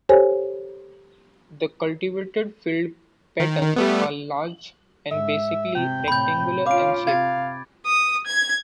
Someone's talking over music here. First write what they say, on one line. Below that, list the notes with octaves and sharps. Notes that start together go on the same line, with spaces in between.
The cultivated field patterns are large and basically rectangular in shape.
G4 A4 C5 C#5 G#5
D#3
D#3
G3 A3 B3
G#2 E5
C3 G5
A2 C3 B5 G6
C#4 F4 F5 D6 D7
C3 F5 G#6 A6
D#6
G#6